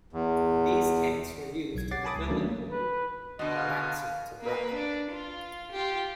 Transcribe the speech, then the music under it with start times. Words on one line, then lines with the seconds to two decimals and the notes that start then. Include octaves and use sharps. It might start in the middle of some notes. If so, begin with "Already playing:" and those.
These tanks were used in the filming of the movie "The Rats of Tobruk".
0.13 E2
1.75 B1 G#6
1.91 C#5 F#5 D6 A6 C7
2.05 G#5 A5 B5 D6 D#6 A6
2.16 C#2
2.29 D#3 F#3 A3 A#3 C#4 D4
2.72 B4
3.39 B2 D3 D#5
3.57 F5
4.41 A#3 B4
4.74 D4
5.11 F4
5.72 F4 G4